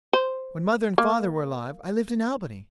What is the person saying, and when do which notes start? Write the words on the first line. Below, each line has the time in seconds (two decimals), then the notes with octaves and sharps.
When mother and father were alive I lived in Albany.
0.13 C5
0.98 A#3